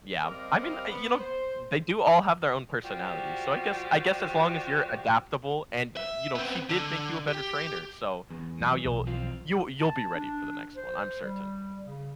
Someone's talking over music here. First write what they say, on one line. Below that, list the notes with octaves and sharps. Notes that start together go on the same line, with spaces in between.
Yeah, I mean, uh, y you know, they do all have their own personalities, so I guess I guess as long as you're adaptable, and you know, she did make you a better trainer, so now you'll you'll you'll be ready for the next one, I'm certain.
G3 C4 A#4 D5 D#5 F5
B3
C5
F3 G3 F#4 G4
E5
B3 C4
D3
G4
E2
F#3
B1 E3
F3 C4 F4
A5
D4
C5
G3
C#3